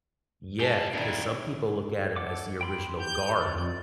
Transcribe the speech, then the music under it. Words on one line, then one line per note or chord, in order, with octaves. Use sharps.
Yeah, 'cause some people look at it as the Original Guard.
G4 G#4 A5
A#2 D#3 D4 E4
A4 F#5 D6
G5 B5 C6
G4 G6
F2 D5